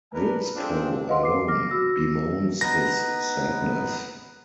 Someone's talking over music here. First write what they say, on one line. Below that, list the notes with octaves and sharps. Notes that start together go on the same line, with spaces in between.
Gritsko, alone, bemoans his sadness.
D4 A#4 B4
C4 D4 F4 G#4 A4
B4 D#5 F5 F#5 C6
D6 C7
D6 F6 A#6
F#4 E6 A#6
B3 D#4 B4 A#6